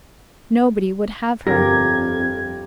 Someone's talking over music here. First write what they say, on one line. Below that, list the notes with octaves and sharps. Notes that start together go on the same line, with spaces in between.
Nobody would have her.
G1 F2 G4 A#4 G#6 A#6